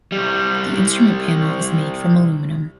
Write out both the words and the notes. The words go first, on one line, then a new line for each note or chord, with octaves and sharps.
The instrument panel is made from aluminum.
C2 G3